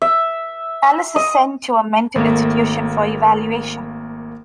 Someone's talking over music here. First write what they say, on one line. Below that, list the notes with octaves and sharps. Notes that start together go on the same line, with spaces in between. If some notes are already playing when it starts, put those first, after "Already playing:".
Alice is sent to a mental institution for evaluation.
E5
D#5
G#1 A3 A#3